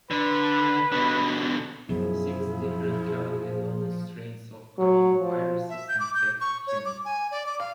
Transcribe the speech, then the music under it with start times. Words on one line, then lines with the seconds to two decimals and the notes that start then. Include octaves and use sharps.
Six different currently known strains of coronaviruses infect humans.
0.10 D3 B4
0.92 B2 D3
1.89 F#2 B2 F3 E4 G#4
4.78 F#3
5.20 F3
5.69 E5
5.88 G6
6.00 D6
6.14 G6
6.41 C#6
6.67 C#5
6.85 D6
7.05 G#5
7.31 D5
7.46 D6
7.60 F5